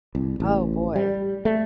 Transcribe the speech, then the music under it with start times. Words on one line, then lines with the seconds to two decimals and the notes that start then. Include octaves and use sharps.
Oh, boy.
0.15 C2
0.40 A1
0.96 G3
1.45 A3